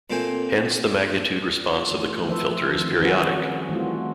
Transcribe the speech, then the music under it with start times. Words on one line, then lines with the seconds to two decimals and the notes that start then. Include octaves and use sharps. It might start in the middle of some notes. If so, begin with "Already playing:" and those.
Hence the magnitude response of the comb filter is periodic.
0.10 A#2 A3 A#3 C4 G5 G#5
1.67 F4
1.91 E3 A3
2.26 E3 F3 A4 B4 C5 E5
2.76 D#3 F3 C4
3.02 G3 C#4 F#4 G#4 A#4 B4
3.69 E3 G3 A3 C4 F4 F#4